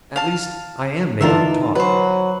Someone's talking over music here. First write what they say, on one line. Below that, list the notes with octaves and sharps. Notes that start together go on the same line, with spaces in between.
At least, I am making you talk!
F5 A5
D3 E3 D4 D#4 F4 A#4 E5
F#3 B4 C5